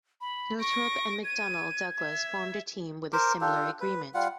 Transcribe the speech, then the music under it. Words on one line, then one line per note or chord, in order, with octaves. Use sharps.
Northrop and McDonnell Douglas formed a team with a similar agreement.
B5
C#6 A#6 D7
G#6 D#7
E5
A#4 C5 D6
D4 F4 G4 A4
B4
G3 F4 F#5